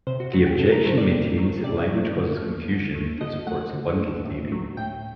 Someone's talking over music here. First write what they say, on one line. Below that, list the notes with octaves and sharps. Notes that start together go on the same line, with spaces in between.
The objection maintains that language causes confusion that supports bundle theory.
C3 C5
F#4
F#3 A3 F#4
G4
C3 A4
A#4
F#3 A3 C5
D5
C3
F#3 A3
C3 D5
F#3 A3
D3
A3
D3
A3
D3 D#5
A3 F#5
D3
A3
A2
F#3 A3
A2 G5